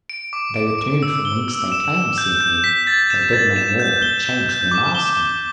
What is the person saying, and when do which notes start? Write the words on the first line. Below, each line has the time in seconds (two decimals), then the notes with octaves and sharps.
They returned from whence they came, said he; they did no more but change their master.
0.10 D7
0.33 D6
0.56 D7
0.78 D7
1.03 E6
1.25 G7
1.48 E6
1.72 E7
1.94 E7
2.18 G6
2.41 G6
2.64 B6
2.87 A6
3.10 E7
3.33 A6
3.56 E7
3.79 G6
4.02 G7
4.25 E7
4.49 G6
4.71 D6
4.95 G7
5.17 G7